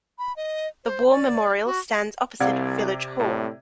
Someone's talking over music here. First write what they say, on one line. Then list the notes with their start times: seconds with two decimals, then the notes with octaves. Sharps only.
The War Memorial stands opposite Village Hall.
0.19 B5
0.36 D#5
0.85 C5
1.12 D5
1.66 F#4
2.40 C2 C3 G4 D5 F5 F#5 G#6
3.19 A2